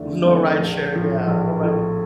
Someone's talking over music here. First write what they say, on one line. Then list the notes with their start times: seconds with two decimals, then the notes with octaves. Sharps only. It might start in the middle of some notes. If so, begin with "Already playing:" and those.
no rideshare, yeah, no ri
Already playing: F1 F2 D3 A3 D4
0.25 F2 D3 A3 D4
0.59 A#1
0.93 A2 F3
1.27 A#1
1.61 A2 F3